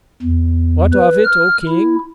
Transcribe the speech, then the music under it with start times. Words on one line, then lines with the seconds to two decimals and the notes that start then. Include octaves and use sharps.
"What of it, O King?"
0.23 E2
0.93 B4
1.25 F6
1.67 E4